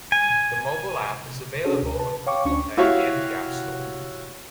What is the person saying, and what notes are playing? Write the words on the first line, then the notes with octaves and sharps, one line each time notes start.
The mobile app is available on Google Play and the App Store.
G#5
C#4 D4 F#4 G#4 A4 C#5
D2
B4 A5
C#5 F5 G5 C#6 D6
D2 C#4 D4 C#6
E4 F#4 G4 C#5 E5 F5